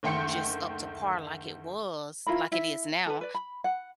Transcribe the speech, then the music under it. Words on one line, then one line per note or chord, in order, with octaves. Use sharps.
just up to par like it was like it is now.
F#1 D2 D#3 G5 C6 C#7
E4 F4 A#4 B5
E4 E5
A4 B4
B4 D5
B5
F#5